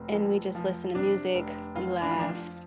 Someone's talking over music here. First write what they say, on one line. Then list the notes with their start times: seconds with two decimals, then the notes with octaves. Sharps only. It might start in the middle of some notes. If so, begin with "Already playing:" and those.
and we just listen to music, we laugh,
Already playing: F1 C4
0.13 F2
0.55 F3
0.95 C3 D4
1.34 F1
1.75 F2 F4
2.02 D4
2.11 F4
2.16 F3 D4
2.29 F4